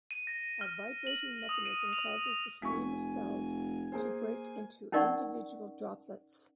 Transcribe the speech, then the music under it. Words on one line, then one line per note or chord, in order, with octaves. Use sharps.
A vibrating mechanism causes the stream of cells to break into individual droplets.
D#7
A#6
F6
F#7
D#6
D#7
F7
F1 G#5 C#6 B6
A#3 G#4 C5
C#4 D#4 A#4 D5 F#5 C#6